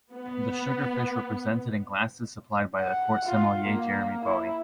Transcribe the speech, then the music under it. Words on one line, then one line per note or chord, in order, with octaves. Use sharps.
The sugar fish were presented in glasses supplied by the court sommelier Jerome Bowie.
B3
F#5
F4
A#3
E4